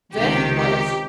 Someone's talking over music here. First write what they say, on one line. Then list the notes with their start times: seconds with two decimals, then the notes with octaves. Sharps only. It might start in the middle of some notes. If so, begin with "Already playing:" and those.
There he was.
0.14 C#2 C3 D#3 G4
0.56 G4